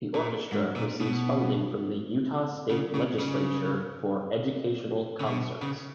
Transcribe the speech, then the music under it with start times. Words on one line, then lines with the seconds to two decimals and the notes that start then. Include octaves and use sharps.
The orchestra receives funding from the Utah State Legislature for educational concerts.
0.15 A#2
0.52 G#2
0.76 A#2
1.01 B2
2.71 C#3
2.95 C#3
3.19 C#3
5.21 C#3
5.26 B2
5.62 C#3